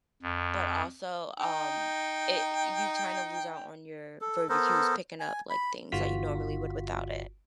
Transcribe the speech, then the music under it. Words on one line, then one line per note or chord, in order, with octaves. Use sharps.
but also, um, it you've trying to lose out on your verbal cues picking up, like, things that you normally would without it.
F2
D#4 G5
A4
B3 A4 A#4 C5
G#5
B5
G1 F4 F#4 B6